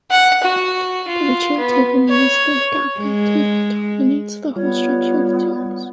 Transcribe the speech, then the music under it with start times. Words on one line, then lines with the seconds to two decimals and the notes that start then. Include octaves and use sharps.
The ritual table known as the "Agape" table dominates the whole structure of tombs.
0.11 F#5
0.44 F#4
1.08 F4
1.58 B3
2.09 C#5
3.00 G#3
4.56 G3 B3 F4 C#5